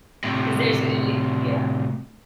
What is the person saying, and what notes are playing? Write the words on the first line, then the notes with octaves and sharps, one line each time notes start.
'Cause there's gonna be Yeah.
A2 C3